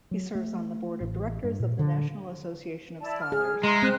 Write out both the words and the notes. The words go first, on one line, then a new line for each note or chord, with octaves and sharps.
He serves on the board of directors of the National Association of Scholars.
F#3
A3
A1
G2
A#2
D3
E4 D5 A5
F6
G#4
G#3 E4 A#5 C6
C4 F#6